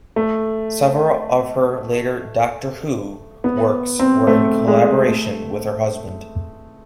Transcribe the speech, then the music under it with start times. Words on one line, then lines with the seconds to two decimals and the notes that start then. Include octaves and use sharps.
Several of her later "Doctor Who" works were in collaboration with her husband.
0.16 A3
3.44 B3
3.99 C4
4.27 A3
4.67 G#3
5.08 A3